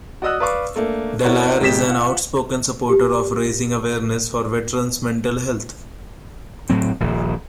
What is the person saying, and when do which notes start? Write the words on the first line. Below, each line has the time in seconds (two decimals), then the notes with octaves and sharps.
Dallaire is an outspoken supporter of raising awareness for veterans' mental health.
0.22 F#4 D5 D#5 D#6 E6 F#6
0.40 B4 D5 F5 C#6 D6
0.76 A3 A#3 D4
1.23 C4 E4 F#4 A#4 C#5 D5
1.61 G#1 C#3 G4 B6 E7
1.89 F4 F#5
2.89 G4
6.70 A2 F#3 C4
7.00 D#1 A#1